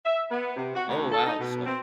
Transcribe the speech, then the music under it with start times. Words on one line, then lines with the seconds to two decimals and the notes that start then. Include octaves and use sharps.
Oh, wow, so
0.05 E5
0.31 B3
0.57 C3
0.75 F#4
0.88 D2
1.12 A4
1.27 D#4
1.39 B2
1.66 C4